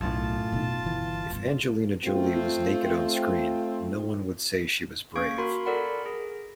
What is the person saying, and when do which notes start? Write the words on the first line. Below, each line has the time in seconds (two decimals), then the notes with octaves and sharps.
If Angelina Jolie was naked onscreen no one would say she was brave.
0.01 B1 F#2 A2 F4 A5
0.52 B2 D#4
0.84 G1 E3
1.30 G2 B3
2.04 A3 C4 F4
5.16 A#3 C#4 F5 C#6 G#6 D7
5.38 F#4 A#4 B5 C6
5.66 A4 A#4 D5 F#5 B5
6.06 G#4